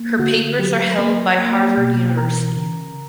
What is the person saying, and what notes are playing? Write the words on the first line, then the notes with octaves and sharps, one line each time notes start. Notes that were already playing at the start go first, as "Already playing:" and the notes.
Her papers are held by Harvard University.
Already playing: A#3
D3 F#4
F#3 G4
B4
F#3 A#3 A#4
A#3 G5
A#5
G4 G5
B2
G5
E3 A#4 A#5
C#3